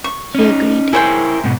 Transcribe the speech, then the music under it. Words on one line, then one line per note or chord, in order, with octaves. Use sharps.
He agreed.
C#6
C#4 D#4
E4 G#4 A#4 C5 C#5 G5
G#2 B2